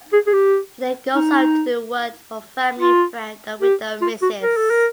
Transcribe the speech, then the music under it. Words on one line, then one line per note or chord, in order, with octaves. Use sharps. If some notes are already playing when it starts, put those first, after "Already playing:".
He then goes off to do work for family friend and widow Mrs.
G#4
G#4
G4
D#4
F4
G4
F4
F#4
A#4
A4
A#4